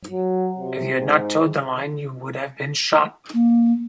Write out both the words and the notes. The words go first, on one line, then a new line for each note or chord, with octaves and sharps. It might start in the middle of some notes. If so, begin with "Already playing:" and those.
If you had not toed the line you would have been shot.
F#3
C3
G#2
A#3